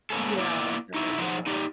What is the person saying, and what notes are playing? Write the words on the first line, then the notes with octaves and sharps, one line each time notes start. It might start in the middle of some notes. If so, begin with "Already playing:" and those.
Yeah, definitely get that.
A#3 B3 C#4 G#4 A4
A#3 B3 E4 F4 D5
D#4 E4 F#4
F3 F#3 D#4 G#4 C5 F#5
D#4 G4 D5